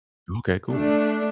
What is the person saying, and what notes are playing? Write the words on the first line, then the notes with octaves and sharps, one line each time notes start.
Okay, cool.
A3 D4